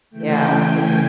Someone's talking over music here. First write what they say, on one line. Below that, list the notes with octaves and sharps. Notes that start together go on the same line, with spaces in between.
yeah, every
C#3 E3 A3 G5
G#5